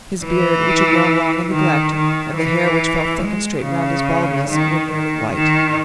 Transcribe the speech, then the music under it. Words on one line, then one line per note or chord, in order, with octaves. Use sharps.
His beard, which had grown long in neglect, and the hair which fell thick and straight round his baldness, were nearly white.
E3
D#3
D#3
E3
G#3
C#3
D#3
D#3
D#3